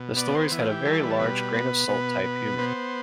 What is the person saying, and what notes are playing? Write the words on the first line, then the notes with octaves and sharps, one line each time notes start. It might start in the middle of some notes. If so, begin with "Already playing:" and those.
The stories had a very large grain-of-salt-type humor.
Already playing: B2
B3 D5
C5
E3
F4
G4
G3 A4
B4
A4
B2 B4
B3
B2
B3
B3 C5